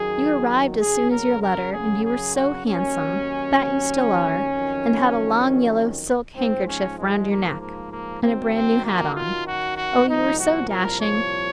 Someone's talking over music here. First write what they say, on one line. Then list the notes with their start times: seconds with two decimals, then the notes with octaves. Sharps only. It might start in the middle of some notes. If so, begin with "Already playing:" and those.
You arrived as soon as your letter, and you were so handsome--that you still are--and had a long yellow silk handkerchief round your neck, and a bran new hat on; oh, you were so dashing!
Already playing: F#2 D#3 F#3 G#4
0.79 F#2 C#3 F#3 G#4
1.11 A#4
1.41 A#4
1.72 G#4
2.03 G#4
2.34 F#4
2.65 D#2 D#3 F#3 C#4
4.51 F2 D#3 F#3
6.36 G#2 F3 C4
6.67 C#4
6.98 G#3
7.29 A#3
7.60 A#3
7.91 A#3
8.22 F#2 D#3 F#3 C4
8.53 C4
8.83 A#3
9.14 F4
9.46 F#4
9.76 F#4
10.07 C2 A#2 F3 D#4
10.38 F#4
10.69 A#4
11.00 C#5